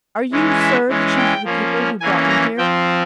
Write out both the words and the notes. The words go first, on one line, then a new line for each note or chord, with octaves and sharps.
"Are you, sir, the chief of the people who brought me here?"
E3 G#3 C#4
E5
E3 G#3 C#4
G5
F3 A#3 C#4
E3 A#3 C#4 G#5
A#5
F3 C4 G5